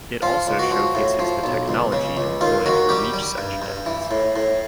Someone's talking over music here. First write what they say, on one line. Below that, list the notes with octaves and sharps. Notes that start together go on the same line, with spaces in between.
It also showcases the technology employed to reach such depths.
F3 F4
C#2
F#4
F3
A2
F3
B1
C#2
C#3
C#2
D#2 F4
D#3 F#4
G3 G4
G3
G2
G2
E3
A2
A2